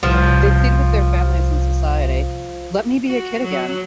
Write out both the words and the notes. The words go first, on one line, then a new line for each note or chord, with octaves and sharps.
They plead with their families and society 'Let Me Be A Kid Again.
C2 F3
F#4
F#3